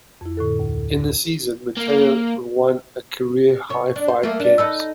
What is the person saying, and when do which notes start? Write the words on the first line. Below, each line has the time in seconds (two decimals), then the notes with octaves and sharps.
In the season, Mitre won a career-high five games.
0.21 F2 E4
0.37 A2 D3 A4
0.60 D2
1.77 A#3
3.69 C3 C#5
3.96 D4
4.08 C5
4.23 A3 A#3
4.40 D4
4.58 D#4 A4 B4